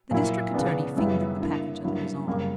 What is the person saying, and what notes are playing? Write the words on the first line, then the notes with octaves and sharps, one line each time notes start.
The district attorney fingered the package under his arm.
A#2 F#3 A#3 E4
C#3 E3 B3 D4
F#2 C#3 G3 B3 E4
D3 A#3 E4
G2 F#3 A#3 E4
F#2 C#3 G3 A#3